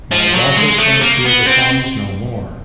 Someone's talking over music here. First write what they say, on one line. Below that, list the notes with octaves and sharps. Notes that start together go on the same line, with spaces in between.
My daughter can’t hear the songs no more.
F3
F#3
G#3
A3
A#3
B3
C4